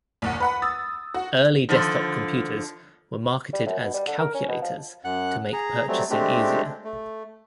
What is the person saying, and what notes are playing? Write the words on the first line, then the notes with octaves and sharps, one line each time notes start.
Early desktop computers were marketed as "Calculators" to make purchasing easier.
A#1 D#2 F#5
B4 F#5 B5
D#6 E6 A6
F#4
D3 D#3 F3
G3
F#2
B2
G3
D3
A#4
C#4
B2
F3
F#2 F#5 F#6
G#4 A#5
F#3 G3 A3 C4
G#3 A3 C4 D4 G4
A3